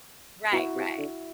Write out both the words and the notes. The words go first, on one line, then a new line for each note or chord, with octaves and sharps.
Right, right.
B2 E4 F#4
C3
D3